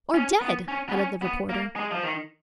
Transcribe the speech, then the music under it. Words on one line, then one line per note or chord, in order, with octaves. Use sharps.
"Or dead!" added the reporter.
C#4
B3
C#4
B3
C#4
B3
A#3
G#3
F3
D#3